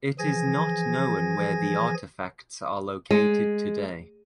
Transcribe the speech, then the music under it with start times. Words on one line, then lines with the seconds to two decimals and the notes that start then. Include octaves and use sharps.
It is not known where the artifacts are located today.
0.19 E3 F3 G#4 G#5 G#6 A#6
3.11 G#3